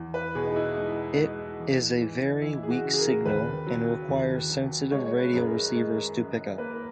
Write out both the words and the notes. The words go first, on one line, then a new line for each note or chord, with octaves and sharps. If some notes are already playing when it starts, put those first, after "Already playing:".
It is a very weak signal, and requires sensitive radio receivers to pick up.
Already playing: E2
B4
B2 G#4
D#4
E4
G#3 D#4
G#3
E3
E3
E3 E4
G#4
F#4
C#3
G#4
A#4
D#2 B4
F#3
D#2
F#3
G#3 C#5
C#5
B4
F#2 G#4
A#4
G#3
F#2
A#3 B4
A#4